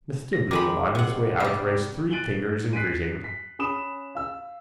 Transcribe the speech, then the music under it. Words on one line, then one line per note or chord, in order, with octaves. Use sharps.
Mr Bloom on his way out raised three fingers in greeting.
A#6
D#3 G#3 B5 D6
C3 F#5
G3 G4
F#6 A6 D7 D#7 F#7 G7
F#6 B6 C7 D7 D#7
B6
C#4 B5 D#6 E7
F5 E6